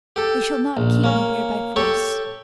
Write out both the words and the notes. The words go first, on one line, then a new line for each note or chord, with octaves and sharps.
They shall not keep me here by force.
G4 A4
A#1
A#3 C#4
G4 A4 C#5 C#6